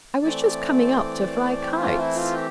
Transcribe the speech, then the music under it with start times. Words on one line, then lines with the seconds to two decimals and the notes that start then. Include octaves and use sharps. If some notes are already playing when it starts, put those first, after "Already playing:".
"I was just coming up to fly kites."
0.22 E3 A3 C4 D5
1.62 G4
1.80 F4
1.98 E4
2.16 F4
2.33 G4